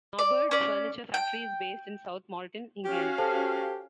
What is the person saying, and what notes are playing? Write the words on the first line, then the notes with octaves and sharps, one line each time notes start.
Norbord's furniture factory is based in South Molton, England.
D5
C#4 D5
G5
C#4 F#4 G4 F5
G4 A4 C5 A5